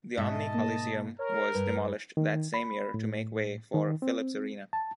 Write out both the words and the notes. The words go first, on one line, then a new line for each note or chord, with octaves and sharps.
The Omni Coliseum was demolished that same year to make way for Philips Arena.
G#2 B2 D#5 E5 A5
A#3
A#4 C#5
G2 B4
D#3
B5
A2
D#3
C4
A5